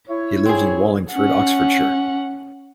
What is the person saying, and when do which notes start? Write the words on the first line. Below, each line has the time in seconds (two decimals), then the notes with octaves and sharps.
He lived in Wallingford, Oxfordshire.
0.09 E4 C#5
0.45 C4 G#4
1.12 C#4 F#5